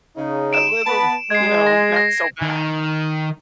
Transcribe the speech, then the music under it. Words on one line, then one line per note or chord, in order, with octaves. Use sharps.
a little, you know, not so bad.
C#3 D#4
D7 E7
B3 A5 B5
G#3 G#6 C7
A#6
A#6
D#3